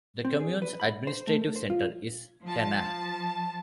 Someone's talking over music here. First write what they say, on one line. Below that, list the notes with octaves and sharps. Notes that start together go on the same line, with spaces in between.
The commune's administrative centre is Canach.
C4
G#4
B4
B5
C5
A3
A3
C5
F4
F3 A5